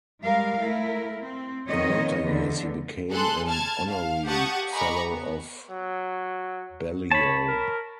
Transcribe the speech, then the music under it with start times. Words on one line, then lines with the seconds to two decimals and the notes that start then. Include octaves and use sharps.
In later years he became an Honorary Fellow of Balliol.
0.23 G3 G#3 A#4 F5
0.62 A3 E4 A#4
1.21 C4
1.68 D#3 F3 B3 C4 C#5 D#5
2.18 E2 D3
3.10 G#4 A4 C6 F#6
3.48 A5 F6 G#6
3.90 F5
4.26 G4 F#5 A5 C#6 D#6
4.71 D#5 G#5 A#5 B5 C#6 D6
5.10 B3
5.70 F#3
7.11 C#5 A5 B5
7.48 A#4